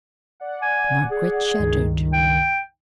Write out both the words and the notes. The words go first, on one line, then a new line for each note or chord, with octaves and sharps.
Margaret shuddered.
D5 F#5
G#5
G#4
C#2 G2 D#3
G5